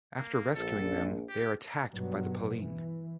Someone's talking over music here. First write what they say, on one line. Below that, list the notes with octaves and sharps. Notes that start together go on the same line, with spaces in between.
After rescuing them, they are attacked by the Paling.
A#3
A#1 A4
G4
G2 B2 F#3 G3 B3
E3